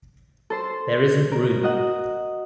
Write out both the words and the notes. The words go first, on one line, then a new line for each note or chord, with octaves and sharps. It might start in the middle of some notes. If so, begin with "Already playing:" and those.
There isn't room.
A4 C5 C6
A#4
F#4 D#5 F#5